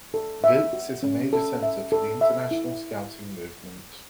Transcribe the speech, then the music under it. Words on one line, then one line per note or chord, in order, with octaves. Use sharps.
Wiltz is a major centre for the international scouting movement.
A4
E5
F#4
C#4
A4
E5
A4
E5
E4